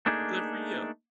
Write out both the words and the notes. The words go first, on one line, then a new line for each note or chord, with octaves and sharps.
Well, good for you.
A3 A#3 D4 D#4 G#4